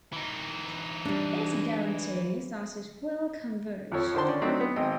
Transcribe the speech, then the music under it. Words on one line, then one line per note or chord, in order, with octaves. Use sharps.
It guarantees that it will converge.
E3 D#4
G3 D4
F2 F3 A4 C#5
D3 D#3 C5 A5 C6
C#4 D5
F#3 A3 C4 D4 D#4
B3
G#1 C4 D#5 G5